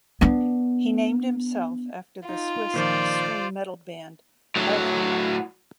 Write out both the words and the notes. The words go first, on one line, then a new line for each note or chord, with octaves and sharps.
He named himself after the Swiss extreme metal band Hellhammer.
B3 D4
D#4 F4
A#2 D#3 F3 C5 D5
A2 F#3